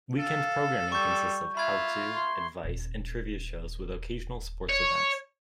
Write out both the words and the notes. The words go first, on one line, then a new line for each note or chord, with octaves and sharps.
Weekend programming consists of how-to, advice, and trivia shows with occasional sports events.
A4 F5
G3 C#6 G6
F4 E5 B5 G#6
C6
D#1
C#5